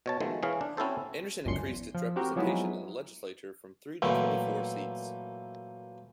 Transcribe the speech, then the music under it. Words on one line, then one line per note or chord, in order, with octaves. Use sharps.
Anderson increased its representation in the legislature from three to twenty four seats.
B2 C#5 A5
B2 D#3 F3 G#3 A3
E3 G#4 C#5 F5
D4
C4 C#4 E4 F#4 A4 C5
G1 C#2 F#2 C6 C#7
E2
F3
C4 F#4 G4 A#4
F3 F#3 G#3 B3 D#4 E4
F#2 A#2 E3 A3